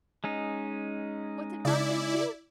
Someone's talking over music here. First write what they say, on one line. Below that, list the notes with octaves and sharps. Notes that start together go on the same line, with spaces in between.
What did Arthur do?
G#3 C#4 D#4
C#3 E4 D5